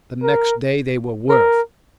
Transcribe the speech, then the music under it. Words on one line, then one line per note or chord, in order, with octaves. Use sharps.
The next day they were worse.
A#4
A#4